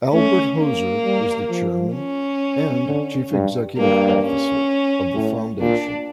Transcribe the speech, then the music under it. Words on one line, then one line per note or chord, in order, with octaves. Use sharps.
Albert Hoser is the chairman and chief executive officer of the foundation.
A3 C#4
A#3
G3
F3
C#4
D3
G2
G2 A#3
C#4
A2
A#2 D4